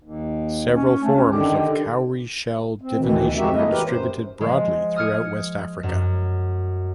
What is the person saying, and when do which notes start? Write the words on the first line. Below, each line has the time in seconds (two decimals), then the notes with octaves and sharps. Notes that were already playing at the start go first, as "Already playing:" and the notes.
Several forms of cowrie-shell divination are distributed broadly throughout West Africa.
0.03 D#2
0.73 C#4
1.03 D2 A3
1.15 C#4
1.31 D3 D#3 G4
2.82 C4
2.95 D2 B2 D#3 E3
3.37 G#3 C4 D#4 F#4 G4 E5
3.54 G#2 C#3 A3 A#3 E4 D#5
3.69 E3 F#3 G4 A#4 B4
3.86 F#2 C5
4.41 F3 G#3
4.96 D#6 F6 G#6 C#7
5.83 F#2